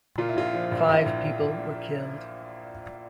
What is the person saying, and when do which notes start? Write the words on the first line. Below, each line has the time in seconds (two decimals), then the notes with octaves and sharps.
Five people were killed.
0.18 A#2 F4
0.29 E4
0.36 A#1 F4
0.54 F3
0.71 A#1
0.88 A#1 E4
1.06 A#1
1.24 A#1
1.41 A#1